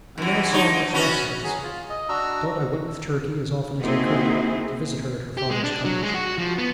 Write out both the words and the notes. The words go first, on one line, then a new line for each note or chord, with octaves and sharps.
I now saw much less of Elsie; but I went with Turkey, as often as I could, to visit her at her father's cottage.
F#2 E3
D3 D#4 C#5
B3 C#4 F#4
F#3 G#4
F4
D#5
D4 F#4 A#5 E6
A#3 C4 D#4 E4 F#4 G#4
G4
G#3
D4
F#3
G#3
F#4
F3
B3